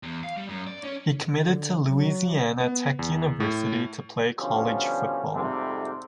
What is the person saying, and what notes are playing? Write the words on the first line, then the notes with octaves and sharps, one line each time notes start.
He committed to Louisiana Tech University to play college football.
E2
F5
G3
F#2
D5
C#4
D3
F#3
B3
E2
A2
B2 D3 F3 G3 C#4
F2 G#2 C3 G3 A3 C4